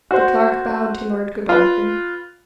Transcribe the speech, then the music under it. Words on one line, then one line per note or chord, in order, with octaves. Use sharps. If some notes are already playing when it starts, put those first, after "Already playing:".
The Clerk bowed to Lord Godolphin.
F#4 C5
F4 B4